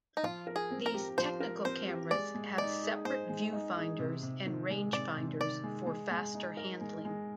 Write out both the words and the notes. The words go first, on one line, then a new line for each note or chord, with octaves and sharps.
These "technical cameras" have separate viewfinders and rangefinders for faster handling.
D#4
F3 F4
A#4
G#4
C4
A#4
G4
F3 C5
A#4
C4 C5
G4
G#3 D5
G#3
D#4 D5
G#4
G#3 C5
G#3
D#4
G#4
C3
C3
D#3
G#3
C3 D5
C3
D#3 D5
G#3
G#3
G#3
D#4
A#4
G#3
G#3